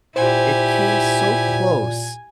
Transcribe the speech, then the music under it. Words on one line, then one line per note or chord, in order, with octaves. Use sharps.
It came so close
A#2 E4 G4 C5 G#5